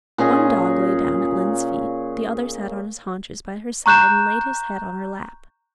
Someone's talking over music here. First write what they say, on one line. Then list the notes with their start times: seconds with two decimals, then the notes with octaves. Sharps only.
One dog lay down at Lynde's feet, the other sat on his haunches by her side and laid his head on her lap.
0.18 A#2 C#4 G#4 D#5
3.86 A#5 C#6 F#6 G6 E7